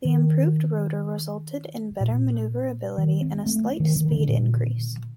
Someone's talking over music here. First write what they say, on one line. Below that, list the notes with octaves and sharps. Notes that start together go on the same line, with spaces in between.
The improved rotor resulted in better maneuverability and a slight speed increase.
D#3
A#2
D#3
C4
A3
D#3
D#3
D3
A#2